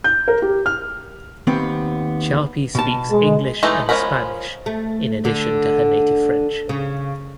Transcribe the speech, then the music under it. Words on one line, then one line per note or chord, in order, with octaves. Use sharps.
Charpy speaks English and Spanish in addition to her native French.
G6
A#4
G4
F6
D#2 B3 C4
B2 A5
G#3
E3 G#3 A3 D#4
F3 G#3 C#4 A#4 B5
A3
D3
C#3